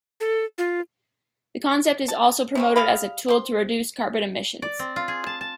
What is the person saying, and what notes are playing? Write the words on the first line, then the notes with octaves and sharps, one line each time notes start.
The concept is also promoted as a tool to reduce carbon emissions.
A4
F4
A5
C3 C4 C#4
G3 G#4 F5 B5
C4 C6
D5
C4
F4
G#4
A5
A5